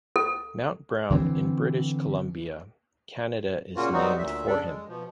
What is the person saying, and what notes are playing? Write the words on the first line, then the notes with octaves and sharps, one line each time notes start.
Mount Brown in British Columbia, Canada is named for him.
A4
D3 E3 A#3 C4
A#2 C#3 A#3 C#4 F4 F#4
F#3 G3 B3 C4 D#4 F#4
D2 A#2 E5
C#3 D4 A4 D5
G#3
B2 F3